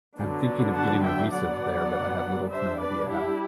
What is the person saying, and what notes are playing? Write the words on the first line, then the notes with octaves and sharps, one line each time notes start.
I'm thinking of getting a visa there but I have little to no idea how.
D3 F#3 B3 D4
F#5 A5
E5 G5
D3 F#3 B3 D5 F#5
G3 D4 C5 E5
B4 D5
E4 G4